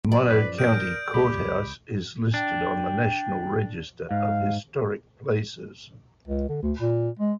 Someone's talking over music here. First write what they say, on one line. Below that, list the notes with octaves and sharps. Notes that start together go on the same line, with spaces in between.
The Mono County Courthouse is listed on the National Register of Historic Places.
F#3 D5
F#2 F3 B4
A#4 D#6 G6 D7
C#2 G4 B5 D6
D4 G5
G#2 F5
C#2
D3
D2
A#2
G#3